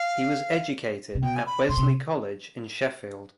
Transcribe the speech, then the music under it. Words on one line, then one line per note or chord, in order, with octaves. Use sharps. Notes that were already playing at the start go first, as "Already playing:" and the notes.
He was educated at Wesley College in Sheffield.
Already playing: F5
C3
B2 G5
G#5
B5
B2 C6
C3